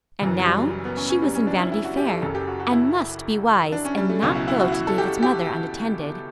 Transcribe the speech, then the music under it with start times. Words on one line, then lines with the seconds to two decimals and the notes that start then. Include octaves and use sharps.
And now she was in "Vanity Fair," and must be wise and not go to David's mother unattended.
0.21 F#1 F#2 E3
0.39 F#3
0.46 G3
0.85 B3
0.97 C#4
1.09 C#4
1.22 G3
1.35 C#4
1.47 D4
1.59 E4
1.72 E4
1.84 F#4
1.97 G4
2.10 A4
2.22 F#1 F#2 C#3 A4
2.35 G4
2.48 F#4
2.60 F#4
2.72 E4
3.72 D4
3.85 C#4
3.97 G3
4.10 A3
4.22 C#2 B2 F#3 C#4
4.35 E4
4.48 E4
4.60 F#4
4.72 E4
4.87 A4
4.98 G4
5.23 G4